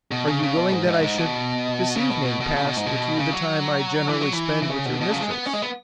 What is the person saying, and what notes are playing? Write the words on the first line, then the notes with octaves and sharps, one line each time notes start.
"Are you willing that I should this evening pass with you the time I generally spend with your mistress?"
B2
C#3
C#3
B2
G#2
G#2
G#2
B2
C#3
B2
B2
B2
C#3
B2
G#2
B2
C#3
F#3
E3
F#3
E3
E3
C#3
B2
B2
C#3
F#3
G#3
B3
C#4
G#3
B3